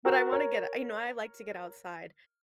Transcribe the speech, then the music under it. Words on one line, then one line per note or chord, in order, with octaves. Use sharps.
but I wanna get you know, I like to get outside,
F#4 A#4
A#4 C#5